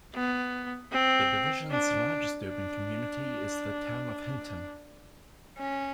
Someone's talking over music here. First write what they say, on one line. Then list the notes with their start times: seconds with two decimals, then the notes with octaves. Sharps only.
The division's largest urban community is the Town of Hinton.
0.15 B3
0.92 C4
1.71 D4
2.48 D4
5.58 C#4